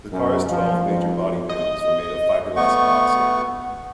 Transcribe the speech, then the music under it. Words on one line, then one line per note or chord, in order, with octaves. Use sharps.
The car's twelve major body panels were made of fibreglass-epoxy.
F#2
F3
F2
D#5
A3 B3 C#6